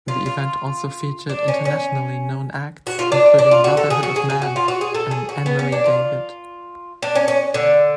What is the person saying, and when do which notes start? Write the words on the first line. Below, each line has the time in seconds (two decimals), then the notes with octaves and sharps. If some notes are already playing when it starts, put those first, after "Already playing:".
The event also featured internationally known acts including Brotherhood of Man and Anne-Marie David.
0.08 F4
0.26 F4
1.29 D4
1.48 C#4
1.65 C#4
2.87 F#4
2.99 F4
3.12 D4
3.38 D4
3.51 F4
3.64 F#4
3.77 A4
3.90 G#4
4.03 F#4
4.16 G#4
4.30 G#4
4.42 F#4
4.56 F4
4.68 F#4
4.81 G#4
4.95 A4
5.11 G#4
5.29 F#4
5.46 B3
5.59 C#4
5.72 D4
5.86 F4
7.02 D4
7.15 C#4
7.28 C#4
7.54 D3